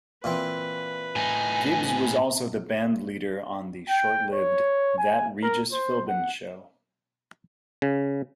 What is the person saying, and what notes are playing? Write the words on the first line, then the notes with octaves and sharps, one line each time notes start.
Gibbs was also the bandleader on the short-lived "That Regis Philbin Show".
A#2 E3 C4 B4
A2 D#4 G#5
G5
C#5
G#5
A#4
C5
F#5
C#3